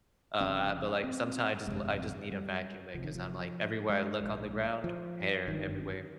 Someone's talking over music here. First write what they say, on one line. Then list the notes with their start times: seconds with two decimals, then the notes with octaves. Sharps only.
uh but, like, sometimes I just I just need to vacuum it 'cause I'm, like, everywhere I look on the ground, hair everywhere,
0.41 F1 F2 C#3 C#4
1.04 C4
1.67 G1 F2 C3 G#3
2.31 G3
2.94 F1 F2 C3 F3
3.04 D#3
3.15 F3
3.89 G#3
4.21 A#1 G#2
4.84 F3
5.47 G1 G2 D#3